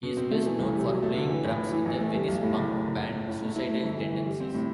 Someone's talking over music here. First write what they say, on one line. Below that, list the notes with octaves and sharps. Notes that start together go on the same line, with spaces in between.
He is best known for playing drums in the Venice punk band Suicidal Tendencies.
B2
C4
A3
E3
C2
C3
F#3
A3
D3
E3
A2
E3
E3
A1
A3
G3
B1
A2
F#1
F#1
F#1
A2
A2
A2
A3
E4
A3
G1
E3
G1
G3
C4
A2